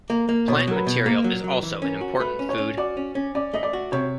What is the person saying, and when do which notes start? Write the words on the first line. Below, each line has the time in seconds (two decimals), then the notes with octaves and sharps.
Plant material is also an important food.
0.10 A#3
0.29 A#3
0.48 B2 C#5
0.67 F#3 A#4
0.76 B4
0.87 B2
1.06 A#3 A#4
1.24 F#3
1.44 F#3
1.63 E3
1.82 C#4
2.01 F#4
2.20 A3 B4
2.39 C#4
2.49 C#5
2.58 C#4
2.77 F#4 D5
2.97 C#4
3.15 C#4
3.35 C#4 D5
3.54 A3 D#5
3.63 D5
3.73 F#4
3.92 C3 C#5